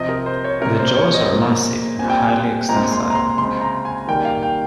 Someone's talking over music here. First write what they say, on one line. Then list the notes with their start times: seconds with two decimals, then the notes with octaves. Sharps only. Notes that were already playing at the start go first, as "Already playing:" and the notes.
The jaws are massive and highly extensile.
Already playing: C3 F3 C4 D#5
0.09 A#4
0.26 C5
0.44 C#5
0.61 C3 G3 A#3 A#4
0.79 C5
0.96 C#5
1.14 D#5
1.31 A#2 F3 A#3
1.99 A#2 G3 C4 G#5
2.10 G5
2.19 G#5
2.69 A#2 G#3 C4 A#5
2.93 C6
3.10 A#5
3.15 C6
3.38 C#3 G#3 C4 C6
3.61 A#5
3.85 G#5
4.08 D#3 G3 A#3 G5
4.25 F5
4.43 G5